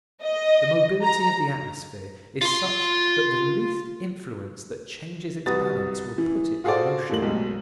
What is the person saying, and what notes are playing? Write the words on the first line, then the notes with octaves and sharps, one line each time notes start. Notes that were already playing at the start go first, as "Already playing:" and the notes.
The mobility of the atmosphere is such that the least influence that changes its balance will put it in motion.
D#5
A#5
F4 C6
C2 F#4 B4 D#6 A6
E3
F4 F#4 G#4 A4 C5 D5
D#1 A2 A#3 F#7
B1 G#2